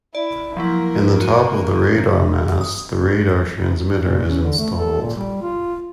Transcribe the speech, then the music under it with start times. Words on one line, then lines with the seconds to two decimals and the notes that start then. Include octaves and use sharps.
In the top of the radar mast the radar transmitter is installed.
0.15 E4 D5
0.57 F3 F#3 A#3 E4 A#4
1.20 F#4 D#7
2.61 D#6
4.03 A#2
4.29 C#4
4.42 D3
4.58 A3
4.78 A4
5.01 A#2
5.17 G3
5.42 F4